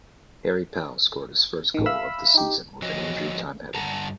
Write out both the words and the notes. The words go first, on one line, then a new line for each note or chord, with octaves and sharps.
Harry Pell scored his first goal of the season with an injury time header.
A1 D#3
E5 F5 B5 E6
D#4 G4
F3 F#4 B4 C#5 D#5
G2 D3 F#5 A5 A#5